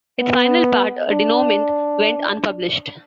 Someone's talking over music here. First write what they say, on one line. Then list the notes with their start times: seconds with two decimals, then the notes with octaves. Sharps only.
Its final part, a denouement, went unpublished.
0.21 B3
1.12 D4